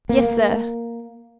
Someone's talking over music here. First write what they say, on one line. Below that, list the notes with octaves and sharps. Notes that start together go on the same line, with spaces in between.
"Yes, sir."
A#3